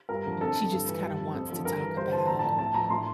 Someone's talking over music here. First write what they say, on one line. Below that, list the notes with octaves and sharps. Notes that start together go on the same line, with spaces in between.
she just kinda wants to talk about,
G2 A#4
D3 F3
F2 A4
D3 F3
G2
E3
G2
F3
F2
D3 F3
G2 A#4
E3
G2 C5
E3 A5
A2 A#5
F3 A5
A2 A5
F3 A#5
A2 C6